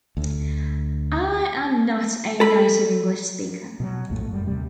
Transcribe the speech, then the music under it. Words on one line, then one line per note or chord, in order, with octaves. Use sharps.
I am not a native english speaker.
D2
A4 B5
B2 F3 F#3
A#1 F2 A2 A3
G1 F#2 G3
D#2 C3 G3 A3